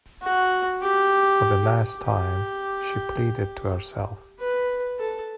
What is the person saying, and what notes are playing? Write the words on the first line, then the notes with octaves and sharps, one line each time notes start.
"For the last time," she pleaded to herself.
F#4
G4
G4
B4
A4